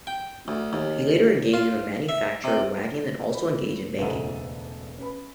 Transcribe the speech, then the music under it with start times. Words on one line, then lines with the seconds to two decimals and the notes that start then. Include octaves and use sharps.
He later engaged in the manufacture of wagons and also engaged in banking.
0.07 G5
0.48 D2
0.73 D#2
1.54 F4
2.09 E5
2.44 C3
3.30 C5 C#5 B5
3.99 E1 D2 G#2 C#3 A4 B4 D#7
4.98 C#4 B4 B5